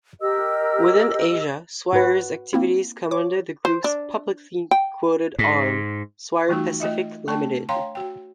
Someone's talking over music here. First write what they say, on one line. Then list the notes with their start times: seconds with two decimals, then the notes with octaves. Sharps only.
Within Asia, Swire's activities come under the group's publicly quoted arm, Swire Pacific Limited.
0.21 G4 A#4 D#5 E6
1.93 G#2 F#4 B4
2.53 A#3 C4 E4
3.11 C#5 D6
3.65 C5
3.84 D4
4.71 G5
5.39 G#2
6.49 E3 G3 A3 D#4 F4 F#4
6.80 A3 F4 D#5 E5
7.28 A3 D4 A5 C#6
7.69 C#5 F5 G5 A#5 C6
7.95 F#4 G5